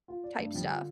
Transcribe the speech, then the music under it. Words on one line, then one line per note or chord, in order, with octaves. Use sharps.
type stuff.
F4
D5
G2 A3
F3 G3
D3
F4